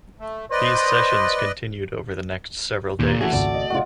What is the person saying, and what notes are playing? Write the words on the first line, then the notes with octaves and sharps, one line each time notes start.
These sessions continued over the next several days.
A3
B4 C5 D5 D#5
D#2 A#2
E3 A3 C#4 F#4 G#4 F#5
G#1 C#2 D5
D#5
C#3 A3 F4 F#4 F#5